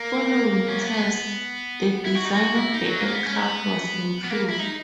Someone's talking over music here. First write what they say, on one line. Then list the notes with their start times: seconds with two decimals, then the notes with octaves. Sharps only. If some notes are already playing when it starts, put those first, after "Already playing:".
Following tests, the design of the aircraft was improved.
Already playing: A#3
0.68 C#4
0.79 B3
2.05 E4
2.15 F#4
2.25 D#4
2.35 F#4
2.54 E4
2.74 D#4
2.87 F#3
3.00 A#3
3.12 B3
3.26 C#4
3.39 B3
4.24 B3
4.30 A#3
4.49 E4
4.59 D#4